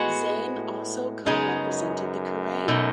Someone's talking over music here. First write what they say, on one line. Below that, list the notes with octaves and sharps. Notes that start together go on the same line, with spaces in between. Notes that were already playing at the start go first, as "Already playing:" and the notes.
Zane also co-presented the Kerrang!
Already playing: A2 G#3 B3 F#4
A2
F#2 C#3 G#3 B3 D#4
F#2
B2 A3 D#4